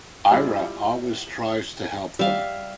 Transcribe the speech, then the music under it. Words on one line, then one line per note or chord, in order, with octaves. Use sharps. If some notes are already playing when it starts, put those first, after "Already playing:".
Indra always tries to help them.
G3 E4 F4
G3 E5 F5